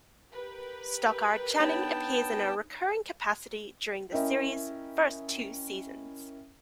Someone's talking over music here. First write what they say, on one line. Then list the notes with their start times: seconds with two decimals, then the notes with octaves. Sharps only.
Stockard Channing appears in a recurring capacity during the series first two seasons.
0.31 G4 A#4 B4
1.60 B3 D4 D#4 C#5 G5 A5
4.11 C#4 E4 A#4 D#5 E5 G5